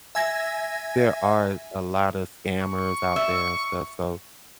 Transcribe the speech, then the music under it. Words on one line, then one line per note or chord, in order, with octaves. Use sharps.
there are a lot of scammers out there and stuff, so
E5 G#5 G#6 A#6
C#6
E5